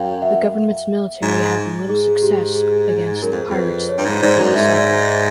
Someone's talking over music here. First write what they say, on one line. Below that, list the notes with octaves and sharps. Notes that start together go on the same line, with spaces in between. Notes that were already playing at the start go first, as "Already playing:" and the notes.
The government's military having little success against the pirates, the people suffered.
Already playing: F#2 F5 G5
E5 F#5
G#2
G#2 G#4
G4
G#4
F#2 A#4
F2
F2
B4
C#5
G2
G#2
G#2 C5 D5
F#2
G#2 E5
D#5
D5 E5